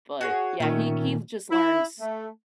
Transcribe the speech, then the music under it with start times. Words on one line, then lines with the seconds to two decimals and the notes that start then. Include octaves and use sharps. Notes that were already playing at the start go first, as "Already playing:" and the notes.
but, yeah, he he just learns
0.21 F#4 G#4 C#5
0.60 A#2 D#3 A3 C#4
1.50 E4
1.99 A3